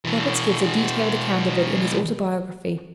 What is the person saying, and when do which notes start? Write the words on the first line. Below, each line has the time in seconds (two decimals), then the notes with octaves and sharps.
Roberts gives a detailed account of it in his autobiography.
0.05 B2 E3